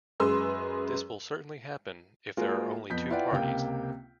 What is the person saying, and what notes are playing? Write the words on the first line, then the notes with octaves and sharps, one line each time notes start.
This will certainly happen if there are only two parties.
F#2 G#3 G#4 B4 C6 E6
G#3 A#3 F4 F#4 A#4
F2 B3 G6 B6
E4 F4 B4 D5 F#5 G5
C#2 C3 A#3 F5 G5